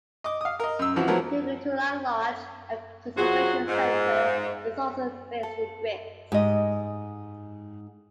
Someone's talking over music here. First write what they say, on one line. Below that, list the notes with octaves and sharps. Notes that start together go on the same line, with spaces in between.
Ukutula Lodge and conservation center is also based in Brits.
D#5 D6
F5 D#6
A#4 D#5
F#2 E6
E3 F3 C4 E4 F#4
F3 F#3 A3 B3 E4 A#4
F#3 F4 F#4 G#4 C5
G#2
A4
G#2 G4 D#5